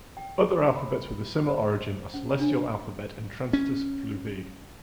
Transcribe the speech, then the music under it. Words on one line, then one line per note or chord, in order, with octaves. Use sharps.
Other alphabets with a similar origin are Celestial Alphabet and Transitus Fluvii.
G5
B5
C5
C#4
D4
C#4